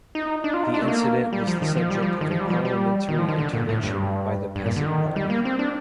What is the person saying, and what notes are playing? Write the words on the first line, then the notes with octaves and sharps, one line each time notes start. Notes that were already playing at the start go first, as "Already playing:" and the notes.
The incident was the subject of a parliamentary intervention by the Peasant Party.
D#4
D4
F4
D#4
D4
A3
A#3
G3
F3
D#3
F3
G3
F3
D#3
F3
G3
F3
G3
D#3
F3
D#3
D3
A#2
A2
G2
G2
A#2
D3
D#3
G3
A#3
C4
D4